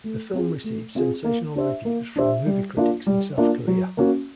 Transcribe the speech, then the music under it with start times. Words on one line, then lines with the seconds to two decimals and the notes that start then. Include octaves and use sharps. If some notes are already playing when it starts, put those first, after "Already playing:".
The film received sensational reviews from movie critics in South Korea.
0.04 A3
0.34 C4 F4 G#4
0.64 A3
0.95 C4 F4 G#4
1.24 A#3
1.55 D4 G4 C5 E5
1.85 A#3
2.16 D4 G4 C5 E5
2.46 G3
2.77 A#3 D4 F4
3.07 G3
3.38 A#3 D4 F4
3.67 F#3
3.97 A#3 C#4 F#4